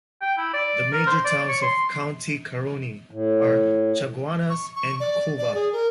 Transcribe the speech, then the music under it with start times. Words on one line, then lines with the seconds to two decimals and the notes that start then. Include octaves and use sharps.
The major towns of County Caroni are Chaguanas and Couva.
0.21 G5
0.37 E4
0.53 D5
0.93 A#4
1.07 C5
1.25 D5
1.49 C#5
1.62 C6
3.11 A2
4.50 C#6
4.75 C#6
5.00 D5
5.39 D5
5.54 G#4
5.73 A#4